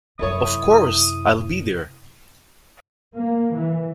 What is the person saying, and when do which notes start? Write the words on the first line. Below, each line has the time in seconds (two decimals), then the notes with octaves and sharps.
Of course, I’ll be there!
0.19 F#2 C3 E4 A4 C#5 D#6
3.15 A#3
3.54 E3